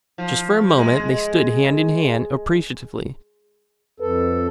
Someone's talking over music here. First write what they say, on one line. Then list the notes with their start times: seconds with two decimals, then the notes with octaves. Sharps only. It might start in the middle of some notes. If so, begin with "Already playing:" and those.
Just for a moment they stood hand in hand, appreciatively....
0.18 F3
0.77 G#3
4.00 F2 A4 B4